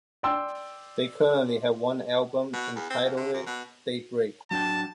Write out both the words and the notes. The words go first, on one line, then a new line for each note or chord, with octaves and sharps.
They currently have one album entitled "Daybreak".
D5 G5 C6 E6
B2
E2
C4
F2
D3
F#2
B2
F#3 D4 G5 A5